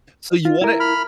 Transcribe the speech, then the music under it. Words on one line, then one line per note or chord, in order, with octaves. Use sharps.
So, you want it
F4
E4 A#4
B5 F6